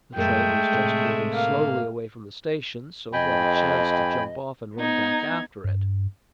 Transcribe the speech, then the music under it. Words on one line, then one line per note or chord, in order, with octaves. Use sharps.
The train was just moving slowly away from the station, so he had a chance to jump off and run back after it.
F#2 A#2 G#3 A3 A#4 G5
A2 C3
A#3 F5
F2 D#5 G5 G#5 B5
B3 D#4 G#6
G2